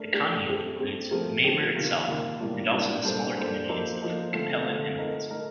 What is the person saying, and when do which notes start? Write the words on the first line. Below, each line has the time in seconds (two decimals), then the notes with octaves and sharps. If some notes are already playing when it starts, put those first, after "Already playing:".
The commune includes Mamer itself, and also the smaller communities of Capellen and Holzem.
Already playing: A3 D4 A#4
0.14 A3 D4 G4 A#4
0.47 A3 C4 G4
0.78 A3 C4 G4
1.11 F3 A3 C4 G4 A#4
1.43 F3 A3 C4 G4 A#4
1.75 C3 D#3 A#3 F4 A#4
2.08 C3 D#3 A#3 F4 A#4
2.40 A2 G3 A#3 D4 F4
2.72 A2 G3 A#3 D4 F4
3.04 G3 A#3 D4 A4 C5
3.37 G3 A#3 D4 A4 C5
3.69 F3 A#3 D#4 A4 C5
4.01 F3 A#3 D#4 A4 C5
4.33 D3 A3 C4 F4
4.66 D3 A3 C4 F4
4.98 A3 D#4 A#4
5.30 A3 D#4 A#4